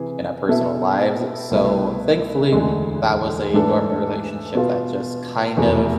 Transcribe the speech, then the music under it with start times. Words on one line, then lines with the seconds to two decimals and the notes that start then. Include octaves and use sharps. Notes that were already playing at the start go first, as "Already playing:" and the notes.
in our personal lives. So, thankfully, that was a dormant relationship that just kind of
Already playing: C3 E3 G#4
0.49 B2 B3 E4 A4
1.51 C2 B2 A3 E4
2.52 E1 D2 D3 G#3
3.54 G#2 E3 A3 D4 A4
4.55 B2 B3 F4
5.57 F1 E2 B2 A3